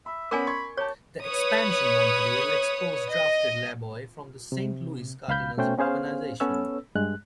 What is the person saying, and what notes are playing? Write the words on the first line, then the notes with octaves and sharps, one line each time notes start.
The expansion Montreal Expos drafted Laboy from the Saint Louis Cardinals organization.
E5 B5
B3 C#4 A#4 D5 G#5 B5 D6
C6 C#6 G#6
G4 C#5 A5 C#6
B4 C#5 D#6
D#5
C3
C#2 F5 B5 G6
B2 A3 C#4 C5 G5
B3 C#4 G#4 C5 F5
B3 C#4 A4 B4 C#5 E6
G2 G#3 F#6